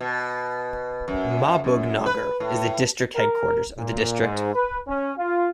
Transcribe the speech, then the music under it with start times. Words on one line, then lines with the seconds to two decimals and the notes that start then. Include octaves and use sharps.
Mahbubnagar is the district headquarters of the district.
0.01 B2
1.08 F#2
1.64 F#2
2.06 B4
2.40 A2
3.15 A#4
3.76 A#2
4.20 G#2
4.54 B4
4.87 C#4
5.17 F4